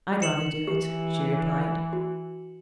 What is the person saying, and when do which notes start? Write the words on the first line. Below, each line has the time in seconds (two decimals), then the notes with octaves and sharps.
"I'd rather do it," she replied.
0.22 C#7 E7 F#7
0.67 E3 G4
1.93 F#4